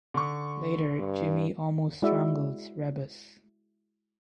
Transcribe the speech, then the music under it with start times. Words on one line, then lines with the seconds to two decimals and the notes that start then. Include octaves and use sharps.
Later Jimmy almost strangles Rebus.
0.14 D3 C#6
0.99 G2
2.02 G#3 E4 F#4 D5 E5